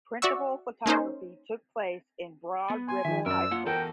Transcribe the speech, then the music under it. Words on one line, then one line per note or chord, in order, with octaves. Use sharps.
Principal photography took place in Broad Ripple High School.
F#4 D5 E5 F#5 C#6 E6
A#3 C#4 D#4 C5
B3
G#5 C6
D#3 F3 E5
F#2 A#4 D5 E6
A#3 D4 F4 F#5
E2 F#4 A4 A#4 G5